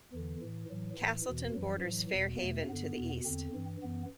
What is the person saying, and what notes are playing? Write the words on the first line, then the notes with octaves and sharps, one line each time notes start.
Castleton borders Fair Haven to the east.
E2 D3 E3
A2 E3
A2 E3 F#3
A2 E3
E2 B2 E3
F#2 E3 F#3
A2 E3
E2 B2
E2 B2 A3
G2 D3 B3
E2 B2
E2 D3 C4
G2 E3
F#2 E3 B3